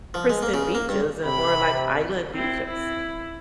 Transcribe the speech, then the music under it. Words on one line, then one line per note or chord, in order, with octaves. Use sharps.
pristine beaches and more, like, island beaches."
F3
G#3
A#3
C#3
A#3
G2
C3 B5
C4 E4
E4